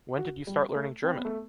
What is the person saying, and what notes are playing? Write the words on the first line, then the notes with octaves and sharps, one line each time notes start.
When did you start learning German?
F#4
G3
A3
C4
B3
A3